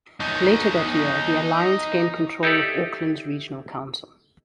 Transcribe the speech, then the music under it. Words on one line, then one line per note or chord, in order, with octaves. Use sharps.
Later that year, the Alliance gained control of Auckland's regional council.
D#4 C#5
D#4 E4 G4 A4 D5